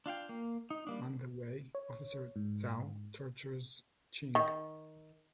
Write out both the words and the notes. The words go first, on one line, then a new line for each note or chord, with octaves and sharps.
On the way, Officer Zau tortures Ching.
D4 F4 F5 G5
A#3
D#4
G3 A#3 D4
C#5
G#2
D#3